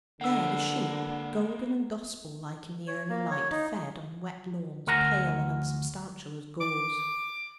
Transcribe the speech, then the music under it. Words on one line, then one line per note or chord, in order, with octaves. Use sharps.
There the sheep, golden, and gospel-like in the early light, fed on wet lawns pale and unsubstantial as gauze.
D3 A#3 B4 F#5 E6
C#5
A#3
C#5
D#4
D2 A#4 F#5 G#5 A#5
D6